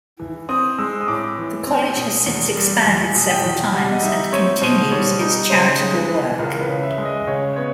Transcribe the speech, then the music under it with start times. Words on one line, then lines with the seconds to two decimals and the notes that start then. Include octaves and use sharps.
The college has since expanded several times and continues its charitable work.
0.20 E3
0.49 C4 D#6
0.78 G#3 E6
1.01 D#6
1.08 A2 D6
1.38 E3
1.67 C4
1.97 B2
2.26 E2
2.55 G3
2.85 E2 G#5
3.15 B2
3.30 G5
3.44 E2
3.73 G3 F#5
3.92 D#5
4.02 D#4 E5
4.32 C4 C#5
4.62 B2 C5
4.91 G3 C#5
5.20 D#4
5.50 C#3 C5
5.80 G#3
5.94 B4
6.09 E3
6.39 C#2 A#4
6.61 B4
6.68 C#3
6.83 E5
6.98 G#3
7.05 D#5
7.27 C#3 C#5
7.56 B3 C#5